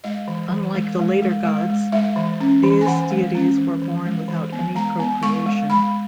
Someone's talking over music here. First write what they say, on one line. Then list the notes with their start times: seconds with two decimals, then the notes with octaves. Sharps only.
Unlike the later gods, these deities were born without any procreation.
0.04 G#3 D#5
0.28 E3
0.52 E3
0.74 G#3
0.99 G#3
1.22 G#3
1.45 G#3
1.70 G#3
1.92 G#3 E5
2.16 E3
2.41 C#4
2.64 E3
2.81 G#5
2.87 E3 F#5
3.11 G#3
3.35 C#4
3.58 E3
3.82 E3
4.05 G#3
4.28 E3
4.52 B3
4.75 G#3 A#5
5.00 B3
5.23 G#3 C#6
5.46 G#3
5.70 G#3 B5